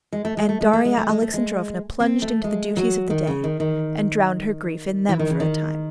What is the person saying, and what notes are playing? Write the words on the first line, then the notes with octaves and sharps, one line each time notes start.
And Darya Alexandrovna plunged into the duties of the day, and drowned her grief in them for a time.
G#3
A3
G#3
A3
G#3
A3
G#3
A3
G#3
A3
G#3
C4
A3
G#3
F#3
D#3
C#3
D#3
D#3
E3
D#3
C#3
D#3